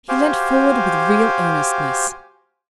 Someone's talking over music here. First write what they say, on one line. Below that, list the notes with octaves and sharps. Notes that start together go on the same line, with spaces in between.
He leant forward, with real earnestness.
F#4 G4 C5 F5 G#5 D6